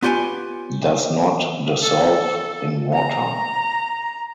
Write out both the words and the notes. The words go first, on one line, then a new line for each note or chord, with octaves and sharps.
Does not dissolve in water.
B3 F4 G4 C#5 G#5
A4
A#5